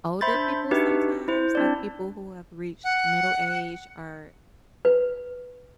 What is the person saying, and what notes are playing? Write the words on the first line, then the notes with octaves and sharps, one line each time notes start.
older people sometimes, like people who have reached middle age or,
C5 E5 B5 C6 G6 A6
D4
D4 D#4 F#4 G4 B4 E5
E4 C5
C4 D4 D5
F#5
B4